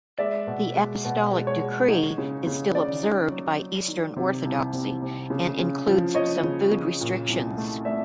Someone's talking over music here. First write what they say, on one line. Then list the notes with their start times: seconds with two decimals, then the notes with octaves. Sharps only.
The Apostolic Decree is still observed by Eastern Orthodoxy and includes some food restrictions.
0.19 G#3 D5 E5
0.47 B2
0.75 G#3
1.05 B2
1.33 G#3
1.47 C#5
1.62 G#3
1.90 D#4
2.18 C#3
2.47 C#3
2.75 C#3 D5
3.03 D#4
3.31 F#3
3.60 F#3
3.88 D#3
4.16 C3
4.45 C2
4.73 C3
5.02 C3
5.30 C#3
5.59 C#3
5.87 F3
6.15 F3 C#5 D#5
6.44 C#3
6.72 C#3
7.01 A#2
7.28 C2
7.57 A3
7.85 A3 D5 E5